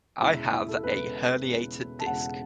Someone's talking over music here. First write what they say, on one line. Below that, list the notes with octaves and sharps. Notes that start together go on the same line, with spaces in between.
I have a herniated disc.
E1 E2 C#3 E4
E4
A4
E1 E2 C#3 B4
E1 E2 C#3
A5
E1 E2 C#3 F#5